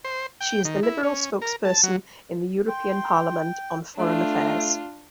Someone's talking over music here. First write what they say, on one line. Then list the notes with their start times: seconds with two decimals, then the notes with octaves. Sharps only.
She is the liberal spokesperson in the European Parliament on Foreign Affairs.
0.05 C5
0.41 G5
0.65 D#3
0.83 E4
1.03 C#4
1.42 A#4
1.65 A5
1.83 F#3
2.68 G5 C6
3.98 A3 D4 F4